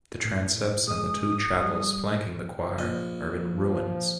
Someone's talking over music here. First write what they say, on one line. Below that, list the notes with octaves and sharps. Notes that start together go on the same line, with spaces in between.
The transepts and the two chapels flanking the choir are in ruins.
A2
G#3 D#6
G3
A#1 D#5
F3